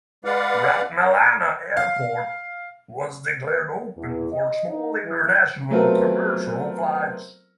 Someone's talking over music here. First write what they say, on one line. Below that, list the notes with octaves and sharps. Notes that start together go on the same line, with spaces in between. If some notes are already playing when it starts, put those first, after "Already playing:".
Ratmalana airport was declared open for small international commercial flights.
G#3 B4 D5 F5 F#5
F5
E2
D#5
D#4
E3
F#3 A3 B3 C4 F4 A#4